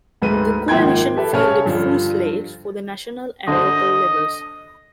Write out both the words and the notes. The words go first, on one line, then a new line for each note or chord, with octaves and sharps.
The coalition fielded full slates for the national and local levels.
D2 G#2 B4 D#7
G#1 F3 A#3 G5 C6 G#6
G4 A4 B4 E5
C#3 C#5 A5 F6
G2 D3 F3
D3 C5 D#5